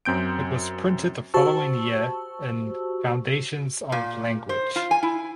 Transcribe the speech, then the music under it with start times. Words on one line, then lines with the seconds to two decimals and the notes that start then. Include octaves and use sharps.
It was printed the following year in Foundations of Language.
0.05 F#2 C4 G6 D7
1.34 F#4 G4 C5 A5 C#6 E6
3.92 A#2
4.49 C5
4.76 F4
4.91 G#5
5.03 E4